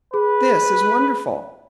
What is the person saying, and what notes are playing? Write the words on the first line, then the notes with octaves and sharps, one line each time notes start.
This is wonderful!
G#4 B4